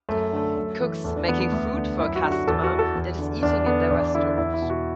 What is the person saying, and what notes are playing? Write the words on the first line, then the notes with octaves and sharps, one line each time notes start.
Cooks making food for a customer that is eating in their restaurant.
F#2 A3
D3 A3
F#2
E3
E2 A3
D4
E3 B3
B3
D2
D3
F#2 E4
F#4
D3
F#4
E2 A4
F#4
E3
A4
E2
D3
E2 D4
D3 B3
E2 D4
D3 E4
E2 E4
E4
B2
F#4